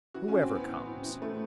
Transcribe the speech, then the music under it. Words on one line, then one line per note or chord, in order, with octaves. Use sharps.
Whoever comes.
E3 F#4
A2 C#4
C4
A2 B3
E3
A2
E3
A2 A3